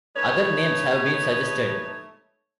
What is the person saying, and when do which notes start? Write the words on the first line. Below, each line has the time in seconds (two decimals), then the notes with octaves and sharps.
Other names have been suggested.
0.15 A3 D#4 B4 C#5